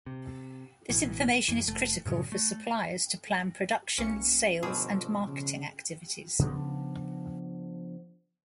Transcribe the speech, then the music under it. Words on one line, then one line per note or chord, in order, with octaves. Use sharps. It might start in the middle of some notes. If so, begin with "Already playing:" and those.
This information is critical for suppliers to plan production, sales and marketing activities.
C3
A1 B2 E3
F#2 E3
F1 A3
F#2 A2 C#3 F#3
A3
B1 A#3 C#4 C#7
G1 B2 F3 G#4 D#5 D6 E6
C#3
C#3 F3 B3 D4